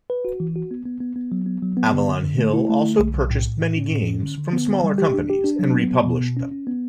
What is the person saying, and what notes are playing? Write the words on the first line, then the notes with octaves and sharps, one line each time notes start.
Avalon Hill also purchased many games from smaller companies and republished them.
B4
F#4
E3
F#4
B3
B3
B3
B3
F#3
B3
F#3
B3
D3
D3
D3
A3
E4
A3
D3
B1
B1
A2
A2
A2
C#4
A2
C#4
D3
D3
B3
D3
G3
G4
D4
G4
D4
F#3
B3
B3
B2
B2
C#4
C#4
B3